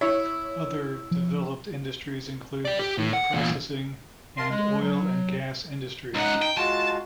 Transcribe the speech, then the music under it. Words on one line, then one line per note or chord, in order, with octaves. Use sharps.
Other developed industries include the food processing and oil and gas industries.
E4 C#5
F3
G3 D5
G4
A2
F#5
E2 A#2
A#4 F5 A5 C6
G#3
F#3
C#2 D#4 F#5
G5
G#3 F4 F#4 A5